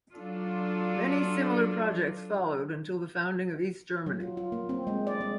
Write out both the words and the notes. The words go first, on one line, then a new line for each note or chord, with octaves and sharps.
Many similar projects followed until the founding of East Germany.
F#3 D4 F4 A4
F#3
F4
F4
A#3
C4
G#3
D5
G#3